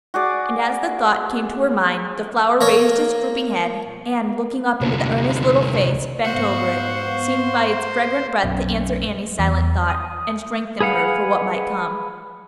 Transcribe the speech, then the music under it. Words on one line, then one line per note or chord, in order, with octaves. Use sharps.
And as the thought came to her mind, the flower raised its drooping head, and, looking up into the earnest little face bent over it, seemed by its fragrant breath to answer Annie's silent thought, and strengthen her for what might come.
F#4 G#4 D5
A#3 A#4 C#5
C2 D3
G#2 B3 F#4 C5 F5
B1 F#2
E2
D#6
G#4 B4 F5 F#5